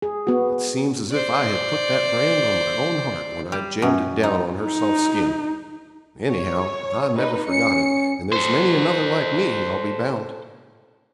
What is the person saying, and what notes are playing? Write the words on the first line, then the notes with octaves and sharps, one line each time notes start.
It seems as if I had put that brand on my own heart when I jammed it down on her soft skin. Anyhow, I never forgot it, and there's many another like me, I'll be bound.
G#4
B3 F#4
C5 D5
G3
F#2
D#4
D#4
C#5
D#4 B4
C#4 C#7
A4 C5